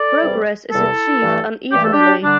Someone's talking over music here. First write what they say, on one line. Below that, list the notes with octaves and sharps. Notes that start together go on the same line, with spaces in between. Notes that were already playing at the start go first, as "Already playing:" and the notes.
Progress is achieved unevenly.
Already playing: A4 D5
E2 C3 G3
E2 C3 G3 E4 A4
G2 E3 A3
G2 E3 A3 G4
A4
D4 G4
D3 G3 D4